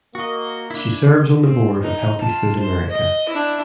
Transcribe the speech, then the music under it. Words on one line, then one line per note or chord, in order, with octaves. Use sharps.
She serves on the board of Healthy Food America.
A#3 F#4 D#5
D4 E4
C4
D#4
F4 A5
C5
D#5
D4 E4